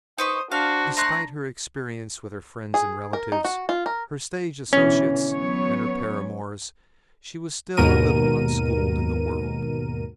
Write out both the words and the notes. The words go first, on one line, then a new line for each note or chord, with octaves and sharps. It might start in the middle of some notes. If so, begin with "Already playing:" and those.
Despite her experience with her friends and relatives, her stage associates, and her paramours, she was still a little unschooled in the world.
D#4 B4 C5 C#6 D#6
D4 F#4 C5 F5
A3 A#5 C6 F#6
G#4
A#4
D#4
F#4
F4
A#4
B2 D3 E3 C#4
F#3 B3 C#5
D#2 G#2 B2 A#4 D#7